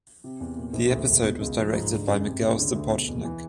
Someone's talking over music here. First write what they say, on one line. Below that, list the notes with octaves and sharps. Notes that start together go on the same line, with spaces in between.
The episode was directed by Miguel Sapochnik.
C3
E2
A#2
A#1
D2
E1
B2
C#2
F3
G#2
D3
F#2
C3
C#2
D3
D2
B2
E2
E3